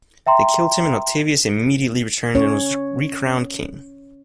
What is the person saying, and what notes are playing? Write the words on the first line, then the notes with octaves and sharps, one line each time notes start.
They killed him and Octavius immediately returned and was recrowned king.
E5 G5 A#5 C6
C#4 C#5